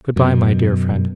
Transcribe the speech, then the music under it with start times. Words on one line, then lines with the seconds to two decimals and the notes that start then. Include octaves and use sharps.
Good-bye, my dear friend.
0.16 F#2 B2